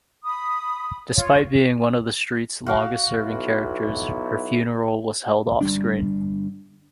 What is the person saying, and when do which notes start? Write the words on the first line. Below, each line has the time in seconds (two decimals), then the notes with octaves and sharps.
Despite being one of the street's longest serving characters, her funeral was held off-screen.
0.25 B5 D#6
1.15 F4 C#5
2.66 F#4 F5 D6
3.17 B1 B3 E4
5.61 G1 G3 D4